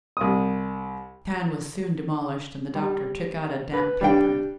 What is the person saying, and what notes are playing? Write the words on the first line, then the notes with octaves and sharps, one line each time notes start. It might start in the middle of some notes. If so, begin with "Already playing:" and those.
The cairn was soon demolished, and the doctor took out a damp paper.
C2 D#6
G3
B4
G3 D4 G5